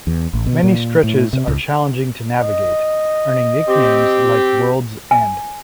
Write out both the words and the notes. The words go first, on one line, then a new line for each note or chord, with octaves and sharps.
Many stretches are challenging to navigate, earning nicknames like World's End.
E2
A1
B2
A#2
A2
C3
C#2
D#5
C4 G4
G#5